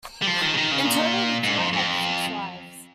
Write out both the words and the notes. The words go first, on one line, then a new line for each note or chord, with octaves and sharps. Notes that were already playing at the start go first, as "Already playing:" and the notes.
In total, the tour had six lives.
G3
F3
D#3
C#3
D#3
C#3
A#2
G#2
F2
F2